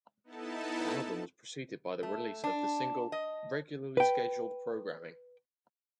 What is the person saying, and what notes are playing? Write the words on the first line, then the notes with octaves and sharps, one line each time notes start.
The album was preceded by the release of the single "Regularly Scheduled Programming".
B3 D#4 E4 A4 A5
A3
D4
D#5
B4 G5